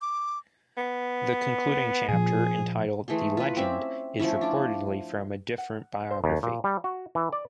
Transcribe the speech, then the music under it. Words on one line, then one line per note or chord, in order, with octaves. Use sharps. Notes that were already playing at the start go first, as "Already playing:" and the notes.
The concluding chapter, entitled "The Legend", is reportedly from a different biography.
D6
B3
A#2 F3 G#4
E3 A3 G#4 C6
F4 B4
C4 C#4 E5 D6
F3 A3 C#4 E4
D4 F4 D6
F#5
C5
D#2
A#2
G3
F#4
E3
D5